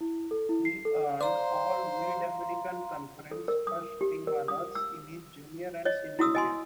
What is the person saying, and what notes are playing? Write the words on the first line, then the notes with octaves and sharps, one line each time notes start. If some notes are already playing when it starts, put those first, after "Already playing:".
He earned All-Mid-American Conference first-team honors in his junior and senior year.
E4
A4
E4
C7
A4
C5 D5 F5 A#5 C6
A4
A#4
D#6
G4
A#4
D#6
E6
C#5 D#5
E4 F#4 D#6 E6
D#5 G#5 C6